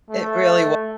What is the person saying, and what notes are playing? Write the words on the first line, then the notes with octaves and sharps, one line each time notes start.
It really was.
A3